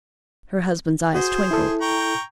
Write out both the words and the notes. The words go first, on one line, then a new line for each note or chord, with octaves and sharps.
Her husband's eyes twinkled.
F#4 G#4 C5
E4 A4
G5 A#5 C#6